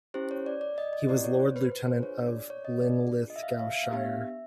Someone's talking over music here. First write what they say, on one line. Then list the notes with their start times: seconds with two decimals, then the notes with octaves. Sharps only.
He was Lord Lieutenant of Linlithgowshire.
0.14 C#4 E4 G4 C5
0.31 C#5
0.46 D5
0.61 D5
0.78 D#5
0.93 D#5
1.09 C4 E4 G4 D5
1.24 C#5
1.39 C5
1.56 B4
1.72 B4
1.87 C5
2.02 D4 F4 G#4 C#5
2.27 D5
2.50 C#5
2.65 D#5
2.81 D5
2.96 D4 F4 G#4
3.30 D#5
3.36 E5
3.43 F5
3.59 F5
3.75 E5
3.84 F5
3.91 B3 D4 G4 E5